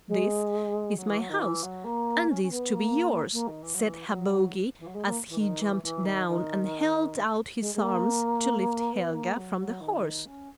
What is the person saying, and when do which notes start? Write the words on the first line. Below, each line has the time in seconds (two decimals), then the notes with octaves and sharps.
'This is my house, and is to be yours,' said Habogi, as he jumped down and held out his arms to lift Helga from the horse.
0.07 G#3
0.96 F#3
1.07 E3
1.18 F#3
1.29 D#3
1.40 E3
1.62 F#3
1.84 A#3
2.29 C#4
2.42 C#4
2.50 B3
2.73 A#3
3.32 A#3
3.47 D#3
3.62 E3
3.74 F#3
3.83 E3
4.06 F#3
4.79 E3
4.86 F#3
4.94 G#3
5.05 A#3
5.28 E3
5.38 D#3
5.60 E3
5.82 E3
6.04 D#3
6.27 D#3
7.59 G#3
7.74 G#3
7.81 A#3
8.92 B3
9.14 A#3
9.37 F#3
9.58 F#3
9.80 D#3
10.25 C#4